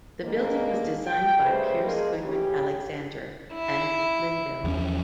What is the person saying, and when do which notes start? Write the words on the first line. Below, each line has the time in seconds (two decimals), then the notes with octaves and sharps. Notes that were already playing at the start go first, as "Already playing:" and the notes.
The building was designed by Pierce Goodwin Alexander and Linville.
0.23 B2 D3 D#3 G#3 A#3
1.05 G5
1.42 C#3 G3 A3 G4 B4 C5
1.84 F3 G#3 A#3 D#4 G#4 A#4
2.24 A2 C#3 C#4 G4
3.53 E4
4.64 E2 F3 C#4